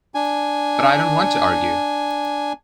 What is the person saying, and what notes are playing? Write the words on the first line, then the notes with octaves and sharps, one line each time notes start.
But I don't want to argue.
D4 G#5